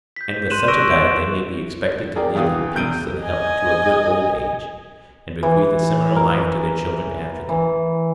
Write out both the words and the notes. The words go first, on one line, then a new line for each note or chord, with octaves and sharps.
And with such a diet they may be expected to live in peace and health to a good old age, and bequeath a similar life to their children after them.
G6 B6
C6 F#6 D#7 E7 F#7
C#6 E6 A#6 D7 E7
D7
G#4 A#4 D5 G5
E2 E3 F5 G5 D#6
E1 F#6 G6 D7 D#7
D#5 G#5
E3
A#4
E3